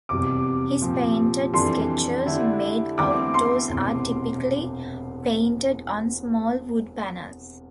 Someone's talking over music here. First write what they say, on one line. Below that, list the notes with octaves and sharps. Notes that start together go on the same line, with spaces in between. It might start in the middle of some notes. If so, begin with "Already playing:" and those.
His painted sketches made outdoors are typically painted on small wood panels.
F1 E2 C3 G3 D6
A#2 F3 C4 G4
F2 E3 G3 D4 A4 C6
D3 A3 E4 G4 D5
E2 D3 A3 C4 E4 D6
C6
E1 E2 C3